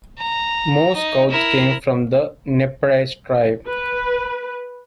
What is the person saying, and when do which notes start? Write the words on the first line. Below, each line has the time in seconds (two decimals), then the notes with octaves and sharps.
Most scouts came from the Nez Perce tribe.
0.18 A#5
0.95 D#4
1.30 E4 A#4
3.67 B4